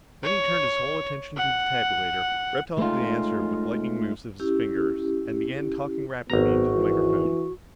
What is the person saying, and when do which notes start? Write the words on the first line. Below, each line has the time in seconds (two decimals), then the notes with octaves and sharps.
Then he turned his whole attention to the tabulator, ripped off the answer with lightning moves of his fingers and began talking rapidly into the microphone.
0.24 C#5
1.37 F#5
2.78 G#3 A3 C#4 D#4 F4
4.40 C#4 E4 G4
6.30 G#1 B3 F#4 A#5
6.75 E3